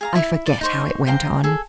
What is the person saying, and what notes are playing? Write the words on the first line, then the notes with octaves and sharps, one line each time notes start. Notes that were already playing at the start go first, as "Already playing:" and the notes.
I forget how it went on.
G#4 F5 A#5
E4
D5
D#4 C5 C#6
C5 F5 G5 A#5
G#4 A4